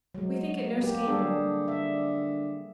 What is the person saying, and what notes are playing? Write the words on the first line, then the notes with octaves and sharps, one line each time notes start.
We think it no scandal.
F#3 G#3
A#3 G4
D3 G3 G#4 A4
E5